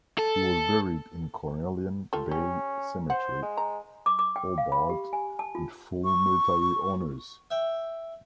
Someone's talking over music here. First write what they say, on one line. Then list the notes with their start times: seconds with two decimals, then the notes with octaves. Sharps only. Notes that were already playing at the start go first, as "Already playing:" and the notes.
He was buried in Cornelian Bay Cemetery, Hobart, with full military honours.
0.18 A4
2.13 F4 G4 A4
2.31 C#4 G4
3.10 C5 F#5
3.42 G#3
3.57 A#5
4.06 D6
4.19 D6
4.36 G5
4.58 F5
4.72 B5
4.89 G4
5.13 G#5
5.39 A5
5.55 F4
6.05 C#6
7.51 E5 G5